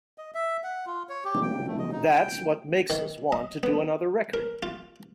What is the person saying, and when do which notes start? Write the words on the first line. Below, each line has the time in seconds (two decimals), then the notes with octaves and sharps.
That's what makes us want to do another record.
0.18 D#5
0.34 E5
0.64 F#5
0.86 F4
1.09 C#5
1.24 G4
1.42 G5
1.67 A3
1.79 D#5
1.92 D#4
2.13 G5
2.90 D#3
3.32 D#5
3.63 B3
4.34 A#4
4.63 F4